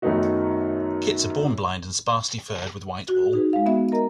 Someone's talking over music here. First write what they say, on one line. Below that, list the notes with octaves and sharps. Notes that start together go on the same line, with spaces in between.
Kits are born blind and sparsely furred with white wool.
F#2 D#3 A3 B3 D#4 F#4
F#4
D#4 G#4 B4
G#3 F5
B3 F#4 E5
A#4 D#5 A#5